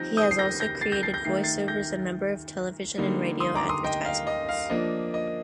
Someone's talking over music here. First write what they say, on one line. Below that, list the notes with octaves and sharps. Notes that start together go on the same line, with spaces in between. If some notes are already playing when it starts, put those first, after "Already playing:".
He has also created voice-overs a number of television and radio advertisements.
Already playing: F3 C4 D#4 G6 A#6
D#6 G6
C7
G6 A#6
G6 A#6
A6 C7
G6 A#6
A6 C7
G6 A#6
D#3 A3 D#4 C7
A6 C7
G6 A#6
D3 G3 A#3 D#4
C6 D#6
A#5 D6
C6 D#6
D#5 G5
F5
D#5
F5
F3 A#3 D4 D#5
D#5